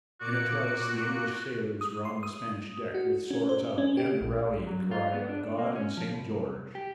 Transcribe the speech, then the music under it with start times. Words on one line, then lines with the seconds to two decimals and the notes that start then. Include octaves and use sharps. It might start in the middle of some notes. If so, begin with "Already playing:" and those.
In a trice the English sailors were on the Spanish deck with swords out and the rallying-cry of 'God and St George!
0.20 A#2 F#4 D6 C#7
1.81 D#6
2.05 C6
2.23 D#6
2.94 F#4
3.31 C#4
3.49 C5
3.78 C#4
3.97 G4
4.21 A#1
4.67 F#3
4.91 F4
5.14 B3
5.29 D4
5.45 D4
5.58 A#3
5.75 C#4
5.97 F3
6.13 C2
6.75 G4